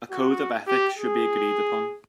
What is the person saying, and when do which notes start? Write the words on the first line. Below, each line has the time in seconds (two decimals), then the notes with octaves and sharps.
A code of ethics should be agreed upon.
0.11 F#4
0.68 G4
0.96 G#4